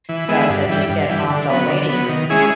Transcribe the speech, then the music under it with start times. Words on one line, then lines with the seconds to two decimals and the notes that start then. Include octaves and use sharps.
So, I said, "Just get mom's old lady cream,"
0.09 E3
0.28 G#3 B3 E4
0.49 G2
0.69 E3 G3
0.89 G2
1.09 E3 G3
1.30 D3
1.50 F#3 B3
1.69 D3
1.89 F#3 B3
2.09 D#3
2.30 G#3 C#4 E4 G#4